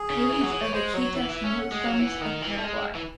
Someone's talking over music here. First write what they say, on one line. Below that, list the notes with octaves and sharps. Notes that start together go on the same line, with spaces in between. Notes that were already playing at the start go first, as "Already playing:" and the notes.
Page of the Chiitas Muslims of Paraguay.
Already playing: G#4
C#3
E3
F#3
E3
C#5
G#3 C5
F#3 C#5
E3 E5
E3
E5
C#4
E5
F#5
G#3
F#3
E3
D#3
E3
A3
G#3
E3